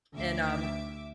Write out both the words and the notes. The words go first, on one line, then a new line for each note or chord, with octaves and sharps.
and, um,
D2 E5 D6